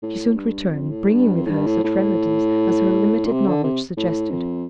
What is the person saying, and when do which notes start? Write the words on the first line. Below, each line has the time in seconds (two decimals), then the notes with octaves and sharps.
She soon returned, bringing with her such remedies as her limited knowledge suggested.
0.02 A2
0.35 G2
0.68 F2
0.91 A2
1.12 G2
1.35 F2
1.46 A2
1.50 G2
1.67 A2
1.84 A2
3.25 A#2
3.32 C3
3.47 D3
3.64 C3
3.97 A2
4.30 F2